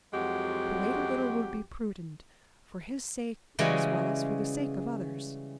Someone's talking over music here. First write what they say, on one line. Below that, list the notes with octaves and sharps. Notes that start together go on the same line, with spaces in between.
To wait a little would be prudent, for his sake as well as for the sake of others.
F2 F#3 G#3 F#4 G4
C#3 E3 G3 G#3 C#4 F#4